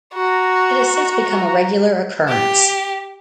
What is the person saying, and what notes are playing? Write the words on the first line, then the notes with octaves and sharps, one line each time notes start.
It has since become a regular occurrence.
F#4 A#5
G4